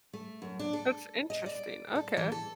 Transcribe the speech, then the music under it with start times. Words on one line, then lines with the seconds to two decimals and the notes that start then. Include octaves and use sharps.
That's interesting, okay.
0.13 A3
0.42 F#2
0.59 D4
0.73 A4
1.30 D#5
1.46 D5
1.95 A4
2.17 E3
2.32 A4